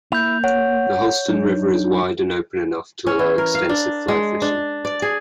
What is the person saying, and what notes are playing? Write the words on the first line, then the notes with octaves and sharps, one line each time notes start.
The Holston River is wide and open enough to allow extensive fly fishing.
A#3 E4 G6 F7
C#5 F#5
F#3 D4 D#4
C#4
E3
A#4
F5
D4
G#3
D4
D5
G#4